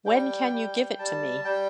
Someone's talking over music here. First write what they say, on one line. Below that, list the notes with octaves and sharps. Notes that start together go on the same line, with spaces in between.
When can you give it to me?
G3 G5
G3
G3 A5
G3 G5